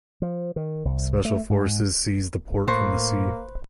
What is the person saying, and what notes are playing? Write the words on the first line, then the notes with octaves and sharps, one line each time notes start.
Special forces seized the port from the sea.
F3
D#3
C2
A3
G#2
A2 A#3 B4 C5 C#6